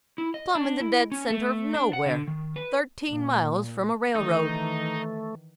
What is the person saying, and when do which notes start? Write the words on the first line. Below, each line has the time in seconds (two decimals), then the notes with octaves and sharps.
Plumb in the dead center of nowhere. Thirteen miles from a railroad.
0.18 E4
0.34 D#5
0.55 D4
0.80 E4
1.12 C#4
1.30 A3
1.74 D4
1.93 F#5
2.06 D3
2.28 D#3
2.56 B4
3.09 A#2
4.16 D#3 E3 A3 D#4